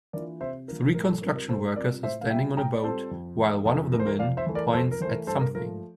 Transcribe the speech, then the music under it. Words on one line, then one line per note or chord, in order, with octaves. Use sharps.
Three construction workers are standing on a boat while one of the men points at something.
E3 A#3 D4 F4 A#4 D5
C3 C5 E5
E3 A#3 D4 F4 A#4
A2 A#4
A4
G3 C4 F4 A#4
A#4
A2 A4 C5
G3 C4 F4 A#4 D5
A2 C5 E5
F5
G3 C4 F4 E5 G5
A2 G5 A#5
D5
G3 C4 F4 A4 C5
F2
E3 A3
F2 A4
E3 A3 A#4
C5
A#4
F2 D5 F5
C5 E5
E3 A3
A#4 D5
F2 A4 C5
A#4
E3 A3 A#4 C5
G2 A4 C5
A#4
F3 A3 A#4